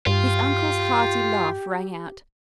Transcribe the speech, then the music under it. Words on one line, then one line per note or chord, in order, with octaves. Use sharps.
His uncle's hearty laugh rang out.
G2 F4 G4